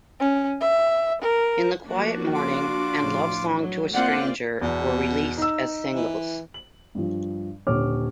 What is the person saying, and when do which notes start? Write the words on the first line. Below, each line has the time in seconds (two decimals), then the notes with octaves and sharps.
"In the Quiet Morning" and "Love Song to a Stranger" were released as singles.
0.20 C#4
0.61 E5
1.21 A#4
1.87 F3 A#3 D4 F#4
2.35 F4 D6
2.98 A2 F3
3.61 F#3
3.94 A#3 C4 F4 G4 D5 F#5 F#6
4.61 E2 B2
5.38 D#4 E6
5.95 E3
6.54 F#7
6.95 G2 F3
7.67 D#1 D3 C#5 D6 F6